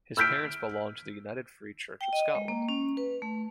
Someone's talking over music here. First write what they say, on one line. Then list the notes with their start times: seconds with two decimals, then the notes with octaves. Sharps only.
His parents belonged to the United Free Church of Scotland.
0.17 E6 F6 G6 B6 D7
2.01 G5
2.13 D#5
2.35 G#3
2.48 A#3
2.69 C#4
2.97 B4
3.22 A3